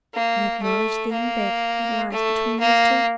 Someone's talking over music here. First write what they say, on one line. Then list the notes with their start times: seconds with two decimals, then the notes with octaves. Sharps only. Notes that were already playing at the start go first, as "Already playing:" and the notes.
"You acknowledge, then, that it lies between these two?"
0.14 A#3
0.63 A3
1.12 A#3
2.11 A3
2.60 A#3